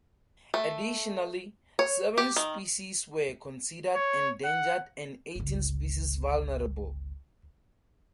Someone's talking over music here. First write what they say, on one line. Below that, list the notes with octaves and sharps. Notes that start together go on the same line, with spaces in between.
Additionally, seven species were considered endangered and eighteen species vulnerable.
A3
C#5
G4
D#3
C#5
F#5
G1 C#2